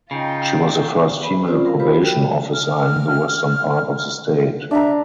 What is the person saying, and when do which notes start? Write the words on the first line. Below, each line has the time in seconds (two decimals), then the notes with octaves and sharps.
She was the first female probation officer in the western part of the state.
0.11 C#3 D#4 F4 G5
1.23 B5
1.46 C4 C#4 F4 C5 D5
1.66 A#4 F5
1.80 F4 G4 B4 C5 B5
2.00 F#4 A#4 G5
2.19 C#5
2.54 F6
4.71 D4 E5 A#5